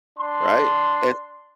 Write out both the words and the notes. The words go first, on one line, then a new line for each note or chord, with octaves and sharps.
right? And
D4 C6